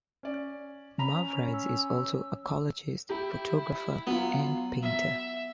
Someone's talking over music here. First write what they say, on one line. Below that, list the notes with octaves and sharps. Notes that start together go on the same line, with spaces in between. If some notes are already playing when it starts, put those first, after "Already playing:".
Mavrides is also a collagist, photographer and painter.
C#4 D5
C#4 A#5 B5 F7
E6
E4 G4
F#3 B3 F4
E5